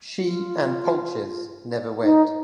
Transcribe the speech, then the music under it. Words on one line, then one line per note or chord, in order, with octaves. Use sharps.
She and Polches never wed.
F4
D#4